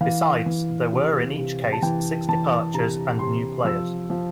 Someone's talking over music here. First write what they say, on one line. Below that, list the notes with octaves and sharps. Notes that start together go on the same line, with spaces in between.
Besides, there were in each case six departures and new players.
E3 F5
E3
C3
C3
A5
E3 G5
E3 A5
C3 A#5
C3 C6
F3 E6
F3